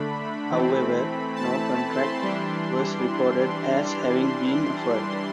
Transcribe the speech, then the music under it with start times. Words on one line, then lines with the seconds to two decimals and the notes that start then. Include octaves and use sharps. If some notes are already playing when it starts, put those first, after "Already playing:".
However, no contract was reported as having been offered.
Already playing: D3 A3 D4 B5
0.51 E3 A3 C4
1.36 A5
1.92 C6
2.21 E3 G3 D4